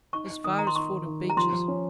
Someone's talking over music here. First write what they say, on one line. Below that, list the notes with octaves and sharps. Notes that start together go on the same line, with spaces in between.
'As far as Fordham Beeches.
D#4 C#6
D#4
D#3 D#6
D#4 A#5
C6
D#4 C#6
D#3
D#3
G3
A#5
F3 C6
F3
C#4